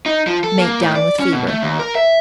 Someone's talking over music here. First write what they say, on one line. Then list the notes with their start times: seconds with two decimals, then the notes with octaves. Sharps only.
Mate down with fever.
0.06 D#4
0.27 F3
0.44 A4
0.59 A#3
0.81 A2
0.95 D5
1.20 C#4
1.33 B2
1.48 A3
1.62 D#2
1.79 A#4
1.95 E5